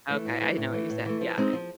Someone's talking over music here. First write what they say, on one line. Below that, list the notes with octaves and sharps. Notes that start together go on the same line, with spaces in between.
Okay, I didn't know what you said. Yeah, I
E3 A3
A2
E3 A3
A2
E3 A3
A2
E3 A3
F3
G#3 C4 D#4
F3